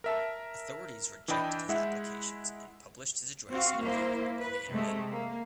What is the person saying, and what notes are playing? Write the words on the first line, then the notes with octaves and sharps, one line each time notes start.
Authorities rejected his applications and published his address and phone number on the internet.
A#4 E5 A5
E3 D4 D#5 G5 B5 G6
G#3 E4 E5 F#5
C4 F#4 F5
A#3 E4 C5
B4
C3 G#3 A3
A#3